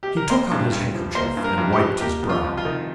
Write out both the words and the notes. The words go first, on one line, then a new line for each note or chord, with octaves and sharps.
He took out his handkerchief and wiped his brow.
G4
A#4
A#3 C5
G2
G2
F3
A#3 C5
G2
A#4
G2
G4
F3
A#3 G4
F2
F4
F2
F4
D#3